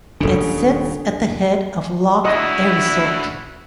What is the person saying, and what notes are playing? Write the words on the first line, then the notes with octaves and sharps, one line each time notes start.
It sits at the head of Loch Erisort.
D#1 A#1 C#3 D4 A4
D4 E4 F#4 D#5